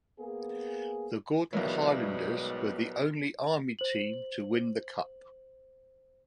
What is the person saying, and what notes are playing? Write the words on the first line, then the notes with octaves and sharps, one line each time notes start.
The Gordon Highlanders were the only Army team to win the Cup.
A#3 B3 G#4
B1 G#2 B2 E3 G3 A#3 A#4 C#5
C5 F#7